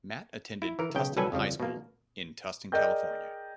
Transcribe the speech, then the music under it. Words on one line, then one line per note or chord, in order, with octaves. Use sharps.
Matt attended Tustin High School in Tustin, California.
E4
E3 A#4
B1 C#3 G5
C2 F#3 G3 A4 B4 G#5
F2 C#3 F3 G3
B2 A#3
G#4 A#4 D5 D#5 G5 G6